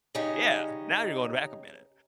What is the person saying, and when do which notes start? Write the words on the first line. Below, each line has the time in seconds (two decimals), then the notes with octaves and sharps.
Yeah, now you're going back a minute.
0.15 C#3 G3 G#3 C#4 D#4